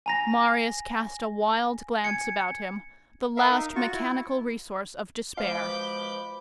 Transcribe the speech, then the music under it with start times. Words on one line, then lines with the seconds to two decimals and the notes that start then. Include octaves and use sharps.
Marius cast a wild glance about him, the last mechanical resource of despair.
0.06 G#5 A#5 A#6
2.04 G#5 G#6 C#7
3.37 A#4 E5 F5
3.52 D#4
3.76 F4 F#4 C#6
3.93 E4
5.37 B2 F3 G#3 F5 B5 D6 G6